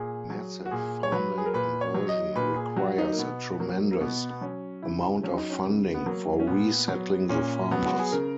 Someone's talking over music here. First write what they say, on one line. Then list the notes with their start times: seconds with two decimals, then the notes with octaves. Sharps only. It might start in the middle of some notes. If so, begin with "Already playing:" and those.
Massive farmland conversion requires a tremendous amount of funding for resettling the farmers.
Already playing: A#2 G#4
0.30 F#3
0.66 F#4
0.71 A#2 G#4
1.03 C#5
1.12 F#3 B4
1.38 G#4
1.46 A#4
1.54 A#2 B4
1.81 C#5
1.95 F#3
2.09 D#5
2.35 A#2 B4
2.56 G#4
2.77 F#3 F#4
2.98 D#4
3.13 A#3
3.19 B2 B3
3.60 F#3 A#3
3.92 A#3
4.00 B2 B3
4.30 B3
4.41 F#3 C#4
4.83 C#3 E4
5.23 F#3 C#4
5.37 D#4
5.50 C#4
5.65 C#3
5.94 B3
6.06 F#3 A#3
6.39 C#4
6.47 A#2 B3
6.88 F#3
7.29 A#2 C#4
7.71 F#3 B3
7.86 F#4
7.99 G#4
8.12 C#3 A#4